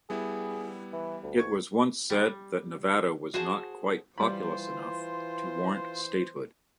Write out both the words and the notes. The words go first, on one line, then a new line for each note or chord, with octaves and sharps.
It was once said that Nevada was not quite populous enough to warrant statehood.
G3 B3 E4 G#4
E3
D2
C#6 G#6
G3
F#4 G#4 C5 A5
E3 G3 F4 C5 B5